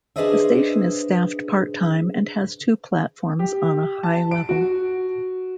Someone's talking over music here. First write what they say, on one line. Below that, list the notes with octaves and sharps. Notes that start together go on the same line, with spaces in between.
The station is staffed part-time and has two platforms on a high level.
D4 G#4 B4 C5 D#5 E5
G4
A5
D7
F#4